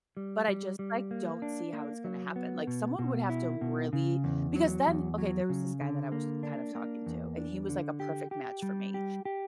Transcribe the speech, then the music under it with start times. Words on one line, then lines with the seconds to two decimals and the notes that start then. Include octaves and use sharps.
but I just like don't see how it's gonna happen. Like someone would have to really because then okay, there was this guy that I was kind of talking to, and he was like a perfect match for me.
0.17 G3
0.48 G3
0.79 G3
1.11 A#3
1.42 D4
1.73 A#3
2.04 F#3
2.36 B3
2.67 B2
2.99 B2
3.30 E4
3.61 B2
3.93 C#3
4.24 E2
4.55 F#3
4.87 E2
5.18 F#3
5.49 C#3
5.81 D3
6.12 A#3
6.43 D4
6.75 A#3
7.06 E2
7.38 D4
7.69 D3
8.00 G4
8.31 G4
8.62 G3
8.94 G4
9.25 G4